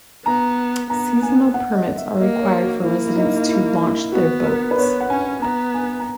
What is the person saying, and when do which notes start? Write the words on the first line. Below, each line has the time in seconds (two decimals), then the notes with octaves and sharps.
Seasonal permits are required for residents to launch their boats.
0.25 B3 A#5
0.90 B3 A#5
1.22 G#5
1.54 F#5
1.76 D#5
1.97 E5
2.19 A#3 D#5
2.41 C#5
2.62 F#4
2.84 A#3 E4
3.05 E4
3.16 D#4
3.37 D#4
3.48 E4
3.80 E4
4.12 B3 F#4
4.45 A#4
4.71 B4
4.78 B3 C#5
5.00 F#5
5.10 C#4 G#5
5.42 B3 A#5
5.74 G#5
6.00 A#5